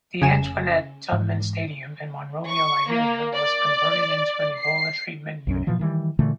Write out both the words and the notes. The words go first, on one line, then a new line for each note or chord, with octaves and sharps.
The Antoinette Tubman Stadium in Monrovia, Liberia was converted into an Ebola treatment unit.
F1 C#3 G#5 E7
G#2 E3
C#6
A#3
D5
C7
B1 F#2 C#4
A#2 E3 F3
D#3 E3 G3
A#2 D3 E3 A3